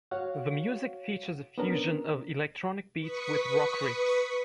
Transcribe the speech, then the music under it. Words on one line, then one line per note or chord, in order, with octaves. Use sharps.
The music features a fusion of electronic beats with rock riffs.
F#4 C#5 F5 F#5
B3 C#4 D4 A#4
B4 C#6 D#6 B6 C#7